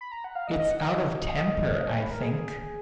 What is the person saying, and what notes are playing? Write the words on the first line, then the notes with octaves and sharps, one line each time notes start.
It’s out of temper, I think.
B5
A#5
F#5
F5
D#5
D#5
F#5
D#5
C#5
B4
A#4
G#4